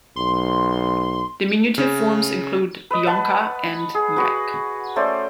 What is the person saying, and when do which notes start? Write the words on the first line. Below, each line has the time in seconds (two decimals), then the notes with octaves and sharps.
Diminutive forms include "Ilonka" and "Ilike".
0.16 B1 C6
1.78 C#3
2.91 B4 D#5
3.07 B4 F#5 A5
3.94 G#4
4.17 F#4 B4
4.96 A3 C#4 C5 D5